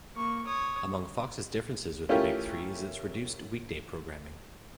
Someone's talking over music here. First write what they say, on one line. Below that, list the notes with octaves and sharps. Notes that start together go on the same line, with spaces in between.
Among Fox's differences with the Big Three is its reduced weekday programming.
A#3 C#6
C#5 D#6
A3 C#4 E4 F4 G4 A#4